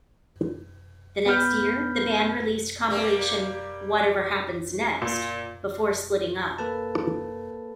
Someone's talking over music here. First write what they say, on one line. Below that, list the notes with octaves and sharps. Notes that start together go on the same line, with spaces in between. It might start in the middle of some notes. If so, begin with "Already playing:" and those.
The next year, the band released compilation "Whatever Happens Next..." before splitting up.
B3 B5 F6 G6
G3 A#3
A#2
A#3 A4 B4 A5